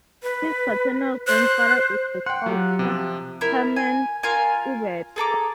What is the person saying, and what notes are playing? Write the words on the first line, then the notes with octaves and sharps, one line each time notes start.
His paternal grandfather is the sculptor Hermann Schubert.
B4
C5 F#6
F#5 G5 C6
F#3 F4 G4
C3 F3
E4 A#4
G#5
F4 A#4 G#5
G#4 A4 A#5 D6